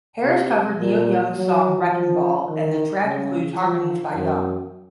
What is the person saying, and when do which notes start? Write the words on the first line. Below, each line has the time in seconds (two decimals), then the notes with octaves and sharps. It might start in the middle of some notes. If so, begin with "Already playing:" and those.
Harris covered Neil Young's song "Wrecking Ball", and the track includes harmonies by Young.
0.24 C3
0.80 A#2
1.36 F#3
1.92 F3
2.48 D#3
3.04 C#3
3.60 F3
4.15 F#2